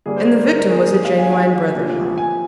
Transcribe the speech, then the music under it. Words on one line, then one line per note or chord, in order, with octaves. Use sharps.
And the victim was a genuine brother-in-law.
G2 D3 G3 A#3 G#4
C5
A#4
C5
A#4
A#4
G#4
G#4
G#2 G3 A#3 G#4
F5
G#5
G#5
C3 F3 A#3
G#5